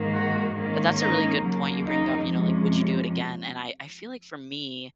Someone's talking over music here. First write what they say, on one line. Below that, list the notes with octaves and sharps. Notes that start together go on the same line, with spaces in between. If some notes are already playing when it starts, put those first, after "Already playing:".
Th That's a really good point you bring up, you know, like, "Would you do it again?" and I I feel like, for me,
Already playing: G#2 D#3 A#3
F#4
G#2 D#3 A#3 C#4
D#4
D#2 C#3 F#3 A#3
D#4
F2 C3 F3 G#3 C#4